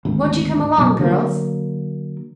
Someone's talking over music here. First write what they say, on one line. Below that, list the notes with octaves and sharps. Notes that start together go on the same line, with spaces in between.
"Won't you come along, girls?"
G#1 D2
F#2 B2
D3 F#3 A3 A#3